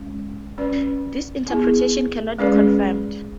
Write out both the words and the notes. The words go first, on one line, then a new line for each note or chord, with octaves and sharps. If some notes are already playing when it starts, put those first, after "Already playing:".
This interpretation cannot be confirmed.
Already playing: G#3 C#4
C#4 F#4 B4 D5
B3 E4 G#4
G#3 C#4 G#4 B4 D5